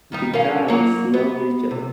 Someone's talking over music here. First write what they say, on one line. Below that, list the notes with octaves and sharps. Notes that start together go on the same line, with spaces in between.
The guys love each other.
D#3 G3 D#4
C#4 A#4 F5
F#3 A#3 C#5
B3
C3